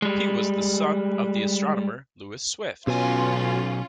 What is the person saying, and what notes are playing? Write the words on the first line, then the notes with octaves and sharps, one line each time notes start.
He was the son of the astronomer Lewis Swift.
G3 G#3
B1 B2 C#4 F4 G#5